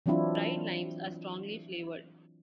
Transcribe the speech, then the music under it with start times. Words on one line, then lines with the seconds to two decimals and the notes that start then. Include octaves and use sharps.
Dried limes are strongly flavored.
0.06 E3 F#3 C4 D4 E4 F4